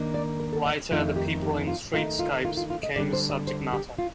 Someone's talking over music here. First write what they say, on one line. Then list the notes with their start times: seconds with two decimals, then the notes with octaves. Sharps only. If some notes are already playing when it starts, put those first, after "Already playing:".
Later the people in streetscapes became his subject matter.
Already playing: D#3 A#3 D4
0.14 D5
0.40 A#4
0.53 A4
0.65 D#5
0.91 F2 D#3 A3 C4 D#4 F4
1.16 G4
1.42 G4
1.67 F4
1.93 D#3 A3 D#4 F4
2.19 F4
2.45 F4
2.57 F4
2.70 F4
2.83 D#5
2.96 D3 G3 D4 D5
3.13 C5
3.30 D5
3.47 C5
3.73 G4
3.99 F4